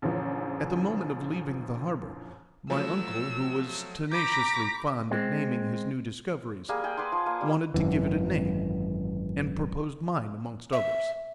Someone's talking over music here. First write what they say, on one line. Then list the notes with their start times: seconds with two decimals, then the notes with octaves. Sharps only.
At the moment of leaving the harbour, my uncle, who was tenaciously fond of naming his new discoveries, wanted to give it a name, and proposed mine amongst others.
0.02 A#1 F#2 D3 E3 F3
2.70 F3 F#3 A3 E6
4.12 A#5 B5 D6 G6 A#6 B6
5.11 G#3 C4
6.69 G3 A#3 G#4
6.84 G#4 G5
6.97 B4 D5 F#5 C6
7.12 F3
7.26 A#3
7.41 G3
7.74 G#1 F#2 E3
10.73 E5